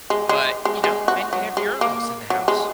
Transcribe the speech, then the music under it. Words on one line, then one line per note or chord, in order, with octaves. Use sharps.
but, you know, men could have urinals in the house.
G#3
G#3
G#3
G#3
F#4
F#3
G#3
A#3
F#3
G#3